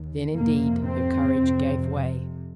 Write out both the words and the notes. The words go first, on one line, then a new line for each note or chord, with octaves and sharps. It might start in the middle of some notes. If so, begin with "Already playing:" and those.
Then, indeed, her courage gave way.
Already playing: D#2
F2 C3 A#3
C4
F2 C3